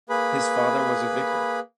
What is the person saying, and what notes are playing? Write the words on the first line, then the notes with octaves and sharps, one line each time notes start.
His father was a vicar.
A#3 G#4 B4 B5